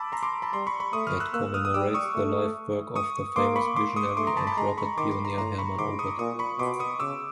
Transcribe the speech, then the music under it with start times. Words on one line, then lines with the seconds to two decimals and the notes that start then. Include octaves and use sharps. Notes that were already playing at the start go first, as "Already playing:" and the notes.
It commemorates the life work of the famous visionary and rocket pioneer Hermann Oberth.
Already playing: A5 B5 D6 E6
0.12 A#5 C6
0.23 C6 D6
0.42 A5 B5
0.53 G3 A#5 C6
0.67 B5 C#6
0.80 B5 C#6
0.93 A3 C#6 D#6
1.07 D#6 F6
1.20 E6 F#6
1.33 A#3 E6 F#6
1.54 D#6 F6
1.65 D#6
1.74 G3 D6 E6
1.94 C#6 D#6
2.15 A3
2.96 C#6 D#6
3.36 A#3 C6 D6
3.56 B5 C#6
3.76 C6 D6
3.96 C#6 D#6
4.17 A3 C6 D6
4.27 A#5 C6
4.37 A5 B5
4.47 A5 B5
4.57 G#3 A#5 C6
4.77 B5 C#6
4.97 D#3 C6 D6
5.11 C6 D6
5.25 A#5 C6
5.38 A2 A#5 C6
5.59 B5 C#6
5.78 G#2 C6 D6
5.99 C#6 D#6
6.19 A#2 C#6 D#6
6.39 B5 C#6
6.59 B2 C6 D6
6.80 C#6 D#6
7.00 C#3 D6 E6